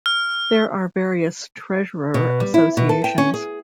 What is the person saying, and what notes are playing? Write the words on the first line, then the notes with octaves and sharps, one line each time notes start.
There are various Treasurer associations.
F6
B2
G3
E4
B2
A4
G5
C#4
G#4